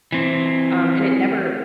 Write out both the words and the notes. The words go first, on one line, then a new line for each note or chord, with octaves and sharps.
Um, and it never
E3 C4